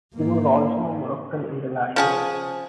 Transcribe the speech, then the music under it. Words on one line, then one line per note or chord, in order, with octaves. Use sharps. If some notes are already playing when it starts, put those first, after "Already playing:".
He was also a Moroccan international.
G#2 A#3
F3 C#4 G#4